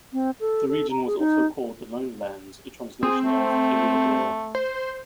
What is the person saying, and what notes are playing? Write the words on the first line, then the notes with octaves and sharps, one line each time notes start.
The region was also called the Lone-lands, a translation of "Eriador".
C4
A4
A4
A#5
G#4
D#4
C4 G#4
A3
C5